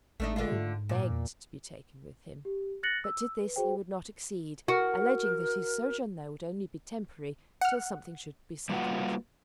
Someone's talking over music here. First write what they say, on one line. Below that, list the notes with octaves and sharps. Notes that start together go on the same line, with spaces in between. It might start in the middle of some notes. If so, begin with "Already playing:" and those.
Mary begged to be taken with him, but to this he would not accede, alleging that his sojourn there would only be temporary, till something should be settled.
G#1 A3 D4 D#4
D3 F4
G#2
A#2
E2
G4
F#6 A6 A#6 C#7 F#7
E6
B4
F#4 G#4 C5 G5
F#4 A#4
F#5 F6
G3 A#3 F4 F#4 B4 F#5